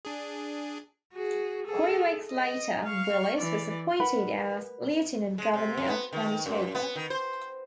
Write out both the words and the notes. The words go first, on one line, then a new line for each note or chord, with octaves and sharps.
Three weeks later, Willis was appointed as Lieutenant Governor of Manitoba.
D4 G#4
F#4 G#4
G#4 A4
D#5
F5 C#6
E3 D5
A#4 B4 F#5 B5
G#3
C3
F2
B3
D#3
F#2
B3
D#3
C5